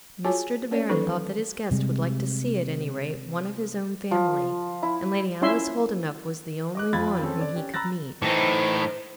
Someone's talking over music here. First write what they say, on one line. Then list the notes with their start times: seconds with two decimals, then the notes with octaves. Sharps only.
Mr. De Baron thought that his guest would like to see, at any rate, one of his own family, and Lady Alice Holdenough was the only one whom he could meet.
0.24 F4 F#4 G#4 C#5 G#5 A5
0.71 A#3 C#4 C#5 D5
0.89 D#3 E3 F#3 D#4 A4 B4
1.71 C3 G3 G#3
4.11 F3
4.83 E4
5.42 C#4 E4 F4 E5 C6
6.75 D#5 D6 F#6
6.93 F2 F4 B5 G#6 A6
7.21 C4 C#4 A4
7.41 D5
7.56 C#4 G4
7.74 A#5 B5 E6 F#6 A6 A#6
8.22 A2 E3 D#4 C5